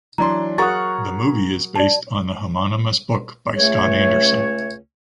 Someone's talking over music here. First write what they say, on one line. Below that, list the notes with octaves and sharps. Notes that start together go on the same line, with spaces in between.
The movie is based on the homonymous book by Scott Anderson.
E3 F#3 D4 A#5 C6
F#4 G#4 A#4 F#5 A#5 C#6 D#6 A6
D5 A5
C#2 A3 C#5